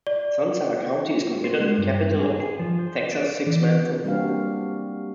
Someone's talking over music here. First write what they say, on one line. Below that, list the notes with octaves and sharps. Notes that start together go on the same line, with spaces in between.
San Saba County is considered the Capital of "Texas Six-Man Football".
D5
C5
G#3
G2
G#4
G#4
F3
C5
D5
E3
G3 A#3 C4 D4 F#4 F5